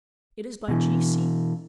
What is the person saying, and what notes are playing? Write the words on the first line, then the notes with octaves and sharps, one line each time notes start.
It is by G.C.
B2 E3